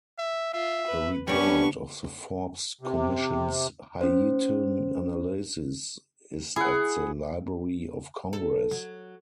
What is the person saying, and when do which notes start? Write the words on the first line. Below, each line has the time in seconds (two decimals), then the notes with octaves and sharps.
The report of the Forbes Commission's Haitian analysis is at the Library of Congress.
0.19 E5
0.54 F4 E5
0.87 B4
1.27 G3 B3 C#4 D4 C#6
2.81 C3
4.01 C#4 C5
6.56 E4 G#4 F#5
8.33 A4
8.72 F#3